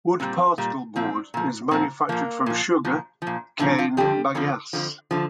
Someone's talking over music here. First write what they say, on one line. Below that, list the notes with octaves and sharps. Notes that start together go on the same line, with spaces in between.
Wood particleboard is manufactured from sugar cane bagasse.
A#2 G3 C4
A#2 G3
A#2 F3 C4
A#2 F3
A#2 F3 C4
A#2 F3 A#3
A#2 F3
A#2 F3
A#2 F3
A#2 D3 F3 D4
F3 F4
F2 D3 F3 G3 G4
F2 D3 F3
F2 D3 F3
D3 F3